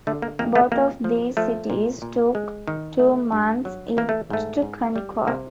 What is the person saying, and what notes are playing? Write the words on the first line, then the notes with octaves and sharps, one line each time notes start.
Both of these cities took two months each to conquer.
D3 A3
A#3
F2 A#3
A3 B3
F2 A#3
F3
F3 A3
A#2
A#2
G#3
D#3
A3
G2
F#3
E3 A#3
A3
G#2 A3
G#2
G3
C3 A#3